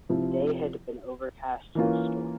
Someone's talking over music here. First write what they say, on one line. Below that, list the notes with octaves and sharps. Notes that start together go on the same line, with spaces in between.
The day had been overcast and stormy.
C3 F3 C4 E4
E3 A#3 C#4 F4